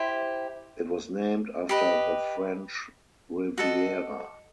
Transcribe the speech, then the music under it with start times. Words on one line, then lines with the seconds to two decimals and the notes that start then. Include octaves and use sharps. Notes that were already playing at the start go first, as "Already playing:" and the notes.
It was named after the French Riviera.
Already playing: E4 G4 C5
1.69 G4 B4 D#5
3.58 F#4 A4 D#5